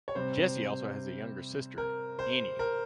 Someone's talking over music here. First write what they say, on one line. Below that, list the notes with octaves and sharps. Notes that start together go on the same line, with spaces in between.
Jesse also has a younger sister, Annie.
C#5
C3 G3 C4 C5
A#4
C5
A#4